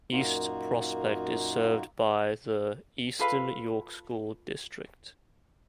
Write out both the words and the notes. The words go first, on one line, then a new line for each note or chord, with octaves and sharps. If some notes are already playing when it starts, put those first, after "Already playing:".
East Prospect is served by the Eastern York School District.
F#2 A#2 A#3 D#4 F4 F#4
F4 A4 B4 F5